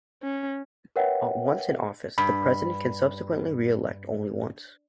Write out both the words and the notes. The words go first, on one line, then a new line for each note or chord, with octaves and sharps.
Once in office, the President can be subsequently re-elected only once.
C#4
A#4 B4 C#5 E5 F#5 G5
G2 B5